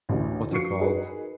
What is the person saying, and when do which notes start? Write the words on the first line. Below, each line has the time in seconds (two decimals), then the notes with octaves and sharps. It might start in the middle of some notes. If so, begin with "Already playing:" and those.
what's it called
0.09 A1 D2
0.51 F3 F#4 C#6 C7 C#7
0.79 D#4 F#4 G#4 A#4 B4